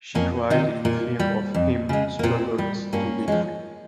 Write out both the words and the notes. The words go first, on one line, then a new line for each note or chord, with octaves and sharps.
She cried in fear of him, struggled to be free.
F2 A#3 C#4
C3 D#3 C4 D#4
A#2 A#3
G3
F2
C#3 G#3
A#3
A#2 C4
G3
G2 A#3 C#4
F3 G#3